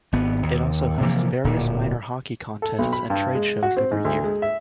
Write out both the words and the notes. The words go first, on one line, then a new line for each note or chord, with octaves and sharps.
It also hosts various minor hockey contests and trade shows every year.
G#1 B3
D#2
C3 E3 F3 A#3
D1 A#2
A4
B1
B5
G2
G#3
F#4
C4
G#2
D2
G#3
E5